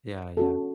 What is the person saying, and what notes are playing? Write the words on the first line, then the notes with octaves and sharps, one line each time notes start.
Yeah, yeah.
C#4 F#4 A4